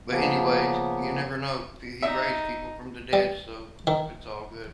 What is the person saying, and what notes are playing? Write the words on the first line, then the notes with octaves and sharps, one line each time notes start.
but anyways, you never know p He raised people from the dead, so it's all good.
C#3 F3 A#3 B3
D#4 E5
G3
D#3